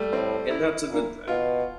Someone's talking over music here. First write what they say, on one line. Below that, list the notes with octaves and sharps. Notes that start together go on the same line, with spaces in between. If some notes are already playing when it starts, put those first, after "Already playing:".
And that's a good thing.
Already playing: G3 A3
A2 C4
E4
A#2
B2 F4